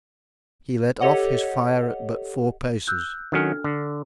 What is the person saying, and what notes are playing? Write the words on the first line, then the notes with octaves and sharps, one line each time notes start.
He let off his fire at but four paces.
G4 A4 C#5 D#5 F#5
E6 F#6 G6
D#3 F#3 C#4 D4 A4 F6
D3